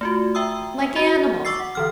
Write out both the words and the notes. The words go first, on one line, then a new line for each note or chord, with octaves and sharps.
Like animals!
A3 F4 F#4
E5 G5 A#5 D#6 E6
F#4
C#6 D6 E6 A6 C7
F#5
D3 E3 F6